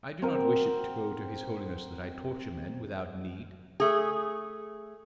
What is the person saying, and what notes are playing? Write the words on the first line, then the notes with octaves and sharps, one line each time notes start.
I do not wish it to go to his holiness that I torture men without need.
C4 A#4 F#5
A3 G#4